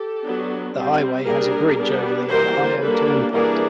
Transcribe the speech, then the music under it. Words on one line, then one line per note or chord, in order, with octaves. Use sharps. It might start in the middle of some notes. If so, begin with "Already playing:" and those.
The highway has a bridge over the Ohio Turnpike.
Already playing: G4 A4
F#3 B3 D4
G3 C4
G3 A#3 D4 G#4 A#4
G3 B3 D4
E3 G3 A#3 A#4 C5
G3 A#3 D4 A4 B4
E3 G3 A#3 D4 G#4 A#4